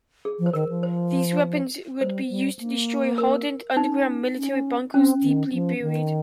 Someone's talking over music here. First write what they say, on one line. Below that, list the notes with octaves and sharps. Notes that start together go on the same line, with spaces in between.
These weapons would be used to destroy hardened, underground military bunkers deeply buried.
G#4
F3
C5
D#3 A#4
F3
C5
G3 C5
G3
A#3
A#4
C#4 D#4
C#4
C4 C#4
D#3
F3
D#3